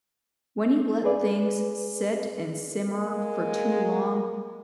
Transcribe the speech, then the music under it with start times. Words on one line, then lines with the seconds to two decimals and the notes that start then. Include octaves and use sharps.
When you let things sit and simmer for too long,
1.04 G#4 B4 D5
2.95 G#3 A#3